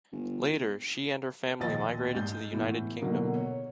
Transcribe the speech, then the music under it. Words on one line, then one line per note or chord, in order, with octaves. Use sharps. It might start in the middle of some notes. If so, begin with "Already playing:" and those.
Later she and her family migrated to the United Kingdom.
G1
A#1 D#2 D#5 A6
G#2 G#3 G6
E2 A2 E3
B2 D3 F#3 A#3
C#5